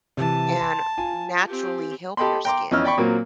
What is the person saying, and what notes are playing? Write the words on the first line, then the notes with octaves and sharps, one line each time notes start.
and naturally help your skin.
C3 E3 A5
C6
F4 G#5
C4 G4
G4 A4 D#5 G5 B5 C6
G5 A#5 C6 D6
F2 E3 C#4 D#5 E6 F6
D5 G5 B5 C#6
A#2 F#3 A#3 C4 A#4